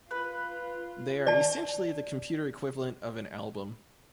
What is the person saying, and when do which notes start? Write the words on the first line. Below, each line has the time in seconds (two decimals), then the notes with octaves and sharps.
They are essentially the computer equivalent of an album.
0.11 F4 B4
1.27 D5 A5